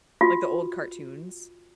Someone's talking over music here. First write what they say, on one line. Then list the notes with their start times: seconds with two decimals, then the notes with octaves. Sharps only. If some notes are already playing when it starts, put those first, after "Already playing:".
Like, the old cartoons.
0.21 F4 F#4